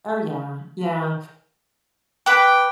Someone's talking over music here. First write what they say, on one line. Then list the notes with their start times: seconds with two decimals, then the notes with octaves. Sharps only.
Oh, yeah. Yeah.
2.26 B4 G5 D6